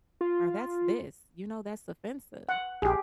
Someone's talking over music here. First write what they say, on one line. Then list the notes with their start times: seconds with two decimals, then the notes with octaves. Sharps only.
or "That's this," you know, "That's offensive,"
0.21 F4
2.49 F#5
2.82 A#1 G4 G#4